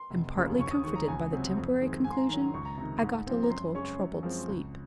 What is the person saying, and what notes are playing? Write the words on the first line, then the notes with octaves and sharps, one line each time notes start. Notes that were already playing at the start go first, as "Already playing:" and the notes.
And partly comforted by the temporary conclusion, I got a little troubled sleep.
Already playing: C6
F1
D#2 C#3 F3 A#3
D#2 C#6
D#6
D#3 G#3 C#6
A#5
C#2 G#5
C3 F#3 C4
F2
D#3 G#3 C4
G#2 G#5
C6
A#5
D#3 F#3 A#5
A#5
C#2 C#6
A#5
C3 D#3 A#5
G#2
F3 C4
A#5
F#2 C6
C#3 G#3 C#4 C#6
F#2
F3 G#3 C4
C#2